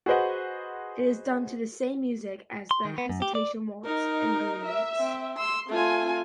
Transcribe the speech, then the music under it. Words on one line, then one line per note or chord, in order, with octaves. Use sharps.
It is done to the same music as the Hesitation Waltz and Dream Waltz.
F#4 G#4 B4 C5 D#5 F#5
C6
D#3
B3
F#2
G4
D5
D#4 A#4
E5
C4
C6 E6
A3 C4 F4 G#5